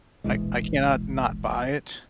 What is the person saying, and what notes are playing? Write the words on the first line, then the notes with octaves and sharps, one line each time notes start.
I I cannot not buy it,
E1 A#1 E3 G#3